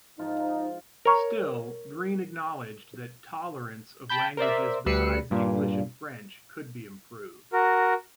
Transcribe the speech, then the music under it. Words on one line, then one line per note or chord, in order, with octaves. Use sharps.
Still, Green acknowledged that "tolerance" of languages besides English and French could be improved.
G#2 F3 D#4 F4
A#4 C#5
G5 A5 B5 G6
A#4 C5 D5 E5
D2 G3 B4 E6 C7 C#7
G2 A#2
F#4 A#4